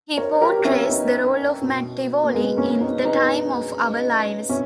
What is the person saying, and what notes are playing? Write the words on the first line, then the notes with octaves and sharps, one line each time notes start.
He portrays the role of Matt Tivolli in "The Time of Our Lives".
A#4 C#5
G4 A#4
G4
C#4 E4
B3 D#4
B2
A#3
G#3 B3
A#3 C#4
B3 D#4
B3 D#4
B2 C#4 E4